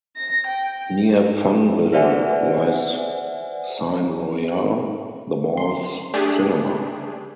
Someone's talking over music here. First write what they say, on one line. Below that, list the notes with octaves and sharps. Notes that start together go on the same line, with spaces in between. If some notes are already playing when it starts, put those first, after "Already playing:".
Near Funville lies Cine Royal, the mall's cinema.
A#6
G5
B4 C5 D5 E5 F#5 G#5
C6
A3 D4 G4 G#4